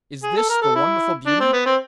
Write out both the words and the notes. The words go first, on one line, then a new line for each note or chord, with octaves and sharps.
'Is this the wonderful beauty?'
G#4
A4
A#4
A4
E4
D4
C4
B3
C4